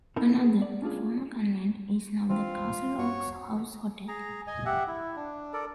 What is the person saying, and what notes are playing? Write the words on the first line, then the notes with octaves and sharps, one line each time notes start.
Another, the former convent, is now the Castleoaks House Hotel.
C4 D#4 E4 A4 A#4 C5
B3 G#4
D5
C#4 D4 F4 G#4
E3 G3 C4 D4 F4
G2 F#4 C#5
G#4 A#5
D#5 G#5
G4 E5 F#5
E4
D4
A4 A#4 D5